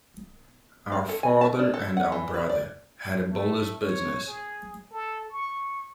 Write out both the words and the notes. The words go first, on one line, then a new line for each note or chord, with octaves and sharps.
Our father and our brother had a builder's business.
F5
A4
G#5
A5
D4
A4
F#5
E3
B4
D5
A3
C#5
G#4
A4
C#6